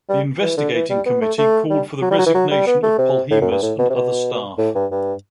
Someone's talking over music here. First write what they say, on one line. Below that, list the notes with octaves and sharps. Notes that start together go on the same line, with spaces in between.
The investigating committee called for the resignation of Polhemus and other staff.
G3
E3
D3
E3
G3
B3
A3
A3
G3
F#3
G3
F#3
E3
F#3
G3
B3
A3
C3
A2
F#2
G2
A2
B2
C3
B2
A2
G2
G2